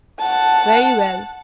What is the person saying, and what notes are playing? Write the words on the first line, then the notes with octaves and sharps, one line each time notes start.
'Very well.
F#5 A5